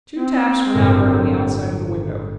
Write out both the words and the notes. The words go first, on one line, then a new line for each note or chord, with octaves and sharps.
Two taps were now heard on the outside of the window.
C4
G1 A2 A#4